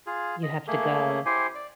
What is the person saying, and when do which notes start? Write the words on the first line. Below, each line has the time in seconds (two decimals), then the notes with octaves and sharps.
You have to go.
0.07 F4 G#4
0.43 D#5
0.67 A3 A#3 G#4
1.26 E4 G4 C5 G#5
1.55 D5